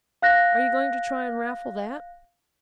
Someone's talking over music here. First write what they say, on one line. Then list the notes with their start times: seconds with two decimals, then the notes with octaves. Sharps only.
"Are you going to try and raffle that?"
0.22 F5 F#6 A#6